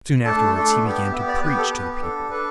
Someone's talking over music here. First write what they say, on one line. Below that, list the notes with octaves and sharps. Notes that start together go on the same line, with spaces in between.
Soon afterwards he began to preach to the people.
A3 D4 A4 A5
A3 D4 A4
B3 G4
B3 G4 E5
D5
B3 G4 B4
A4
B3 G4 B4
D4 A4
D4 A4 B4